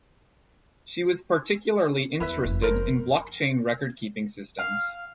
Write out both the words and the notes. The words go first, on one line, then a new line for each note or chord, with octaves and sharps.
She was particularly interested in blockchain record keeping systems.
E2 E4 B4 E5
F#1 F2
A#4 C5
F5